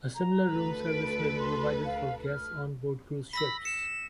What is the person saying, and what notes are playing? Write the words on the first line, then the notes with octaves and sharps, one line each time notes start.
A similar room service may be provided for guests onboard cruise ships.
A#5
D2 A4 B4
D7
C6
F5
F6
B5 E6 A#6 B6
C#7 E7